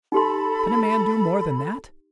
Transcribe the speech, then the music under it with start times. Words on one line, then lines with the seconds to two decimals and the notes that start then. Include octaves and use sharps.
Can a man do more than that?
0.12 D#4 G4 A4 B5 C6